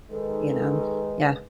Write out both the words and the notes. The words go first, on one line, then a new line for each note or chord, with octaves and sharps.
you know? Yeah.
D#3 G#3 A4 B4